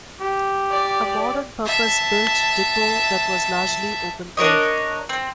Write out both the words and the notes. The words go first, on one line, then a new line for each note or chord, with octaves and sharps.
A modern purpose built depot that was largely open air.
G4
D5
E5 A5
D4 A#4 C#5 D#5
C4